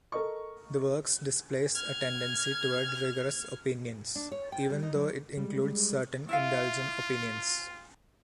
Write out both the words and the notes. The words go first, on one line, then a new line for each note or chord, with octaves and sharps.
The works displays a tendency toward rigorous opinions, even though it includes certain indulgent opinions.
A4 A#4 D#5 C#6
F6 G#6
D4
C#5
G5
G3
D#4
F#3
G3 G#3
E4 F4 E5 F5